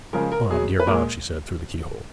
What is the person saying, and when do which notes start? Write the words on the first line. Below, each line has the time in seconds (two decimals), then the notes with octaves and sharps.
'Bob, dear Bob!' she said, through the keyhole.
0.13 C#3 F3 G#3 A#4
0.32 A#4
0.50 B2 F#3 G#4
0.80 B4
0.87 A#2 A#4
0.91 G#3